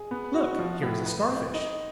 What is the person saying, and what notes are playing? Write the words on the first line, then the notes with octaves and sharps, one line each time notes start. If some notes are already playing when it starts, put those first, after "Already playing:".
Look, here is a Starfish!
Already playing: G#4
B3
F#4
F3
A2
B4
C4
D#4